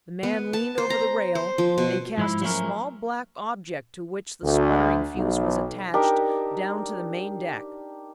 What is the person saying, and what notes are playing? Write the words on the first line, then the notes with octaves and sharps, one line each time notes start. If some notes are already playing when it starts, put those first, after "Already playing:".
The man leaned over the rail and cast a small black object to which the sputtering fuse was attached, down to the main deck.
B3
A5
C5
A#5
C5
F3
B2
G#2 F3 E4
F3 F#3 A3 C#4 A#4
D2
B1
D4 D#4 G4 A#4